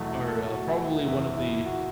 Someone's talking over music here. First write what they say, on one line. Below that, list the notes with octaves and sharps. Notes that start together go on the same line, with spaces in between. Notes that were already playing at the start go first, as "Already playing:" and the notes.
are, uh, probably one of the
Already playing: E2 B2 F#3 A3
E4
A4
F#4
E4
E4
F#1 E2 E3 E4
E4
F#4